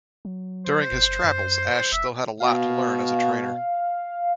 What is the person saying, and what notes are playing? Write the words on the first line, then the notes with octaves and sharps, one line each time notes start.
During his travels, Ash still had a lot to learn as a trainer.
F#3
C5
G1
F#2
F1 E5
B2 F5